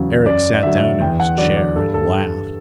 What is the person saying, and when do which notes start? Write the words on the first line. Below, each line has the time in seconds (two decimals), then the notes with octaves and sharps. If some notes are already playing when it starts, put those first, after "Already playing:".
Eric sat down in his chair and laughed.
Already playing: E2 C#3 F#3
0.26 F#2 D5
0.63 D3 F#3 E5
1.00 E2 G5
1.20 F#5
1.38 F#3 D5
1.41 D3
1.57 D5
1.75 G2 A4
1.94 A4